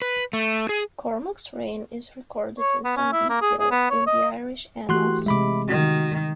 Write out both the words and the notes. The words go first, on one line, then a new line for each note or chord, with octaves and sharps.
Cormac's reign is recorded in some detail in the Irish annals.
B4
A3
G#4
C#5
B3
C#4
E4
A#3
G#4
G#4
B3
C#5
D#5
E3 A3 F#4 G4 C6 F#6
C3 G#3 E5 B5 D6
D#3 F#4